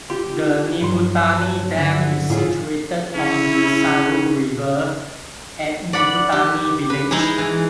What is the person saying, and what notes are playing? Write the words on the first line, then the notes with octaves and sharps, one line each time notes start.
The Nibutani Dam is situated on the Saru River, at Nibutani village.
F4 G4
G2 F#3 C6
C5 A5
D3 E5
A2 F4 G#4 E5
C#3 C#4 E4
D5 F#5 B5
G4
B4
G#3 D#4 E4 G#4
E3